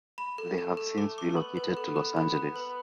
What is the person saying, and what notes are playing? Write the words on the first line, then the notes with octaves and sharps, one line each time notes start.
They have since relocated to Los Angeles.
B5
A4
A3 A4
A4
A3 D6
D6
B3 B4
B4
A4
A4
B5
B5
B4